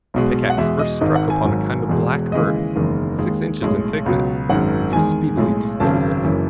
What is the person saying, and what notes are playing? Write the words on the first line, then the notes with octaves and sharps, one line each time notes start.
The pickaxe first struck upon a kind of black earth, six inches in thickness, which was speedily disposed of.
B1 B2 G#3
F#5
E2 B2 G#3 E5
D#5
G#1 G#2 D#3 D#5
F#5
G#5
G#1 G#2 F#3
E1 E2 B2 G#3
D#2 C#3 E3 G#3 D#5
F#1 E2 D#3 G#3
D#2 D#3 G#3
B1 A2 G#3
C#2 B2 F#3
G#1 F#2 D#3 G#3 F#5
E2 D#3 G#3 G#5
B1 A2 G#3
G#1 F#2 C#3 A5
F#1 F#2 E3